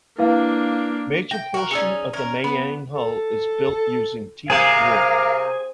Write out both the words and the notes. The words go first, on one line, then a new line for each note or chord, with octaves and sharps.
Major portion of the mayang hull is built using teak wood.
A#3 D4 E4 B4 F5
G5 A#6
F#4 A#4
C#4 D#4 G#4 D5 E6 C#7
C#4 A#4
B3 B5
A4
C3 G#4 A#4 F5 G#5